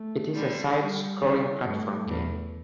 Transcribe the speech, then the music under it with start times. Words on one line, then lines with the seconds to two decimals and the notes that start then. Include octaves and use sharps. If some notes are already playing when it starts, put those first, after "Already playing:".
It is a side-scrolling platform game.
Already playing: A3
0.33 D3 G3
0.78 G3
1.21 D3 E3 G3
1.64 G2 A3
2.07 E2